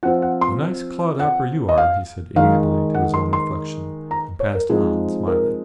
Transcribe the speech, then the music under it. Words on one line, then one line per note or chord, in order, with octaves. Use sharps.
"A nice clodhopper you are!" he said amiably to his own reflection, and passed on, smiling.
F3 C4 F4 F#5
F#5
C6
F#5
D#5
F5
D#3 G#3 D#4 F5
F#5
C6
C6
A#5
C#5
A#4
F3 G#3 C4 D#4 G#4
A#4